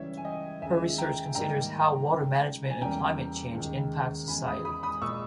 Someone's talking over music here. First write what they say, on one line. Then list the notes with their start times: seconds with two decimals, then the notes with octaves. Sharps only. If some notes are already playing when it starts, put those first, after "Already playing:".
Her research considers how water management and climate change impact society.
Already playing: C#2 C#3 E3 G3 C#5 E5
0.17 G#5
0.25 D#5 G5
0.62 D#2 C#3 G#3 E5 G#5
0.98 G5 A#5
1.35 G#2 D#3 G3 A#3 G5 A#5
2.09 C#2 C#3 G#3
2.70 G#5
2.82 E2 C#3 G3 A#3 G5 A#5
3.55 D#2 C#3 G#3
4.28 E2 C#3 G#3 G#5 B5
4.47 B5 D#6
4.65 B5 D#6
4.83 B5 D#6
5.02 A#2 G#3 C#6 E6